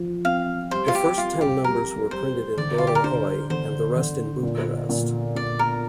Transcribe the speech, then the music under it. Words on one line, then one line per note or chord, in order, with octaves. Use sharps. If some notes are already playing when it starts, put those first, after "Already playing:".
The first ten numbers were printed in Dorohoi, and the rest in Bucharest.
Already playing: F3
C4 F5
G3 C5
F4
G4
G3 F4
G4
G3 A#4
G3 C5
D3 D5
F4
G4
A#4
D4 C5
D3 C5
D3
A#2
A#2
A#2 D5
A#4